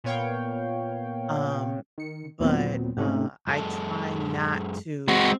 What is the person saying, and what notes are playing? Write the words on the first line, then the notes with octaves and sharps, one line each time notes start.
um, but, uh, I try not to
A#2 B3 C#5 F5 G5
D#3 C#7
D#2 A#2 F#3 B3 C4
G#2 C3 A3 C#4 D#4
F#2 G#3 A4
G#3 C4 F#4